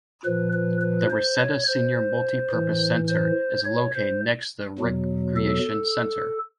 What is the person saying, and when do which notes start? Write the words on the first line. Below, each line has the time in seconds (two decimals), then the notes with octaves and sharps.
The Reseda Senior Multipurpose Center is located next to the Recreation Center.
0.25 A#2 F3 B4
0.53 B4
0.82 B4
1.10 C5
1.38 C#5
1.67 C5
2.52 A2 E3
3.08 C5
3.65 C#5
3.94 C5
4.78 E2 B2 F#3
5.36 A4